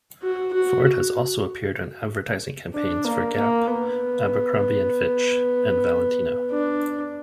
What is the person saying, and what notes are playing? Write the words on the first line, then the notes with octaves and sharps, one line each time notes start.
Ford has also appeared in advertising campaigns for Gap, Abercrombie and Fitch, and Valentino.
F#4
F#4
D4
A#3
A#3
B3
D4